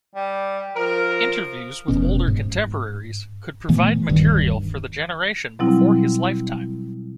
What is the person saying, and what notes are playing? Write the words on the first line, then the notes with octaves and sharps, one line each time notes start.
Interviews with older contemporaries could provide material for the generation before his lifetime.
G3
F3 A#4
F1 B2 C#4
G#2
A#2 E3 A3 B3
D1 G2 D#3
B2 F#3 G3 C4 E4